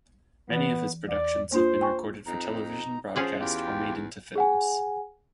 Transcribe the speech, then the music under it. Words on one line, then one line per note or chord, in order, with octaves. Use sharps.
Many of his productions have been recorded for television broadcast or made into films.
E3 B3 A6
E2 D5
A#3 D4 F4 C5
G5 G#5 C#6
F2 D#4 A#5
F3 C#4 G#4 F#5
E2 F4 G4 G5
G#4 F#5 G#5